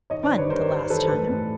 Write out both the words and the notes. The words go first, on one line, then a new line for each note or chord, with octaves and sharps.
"One, the last time."
D#3 C#5 D#5
C5 D5
G2
B4 C#5
G2 A#4 C5
D#3
C5
E3 A4 B4
A2
A2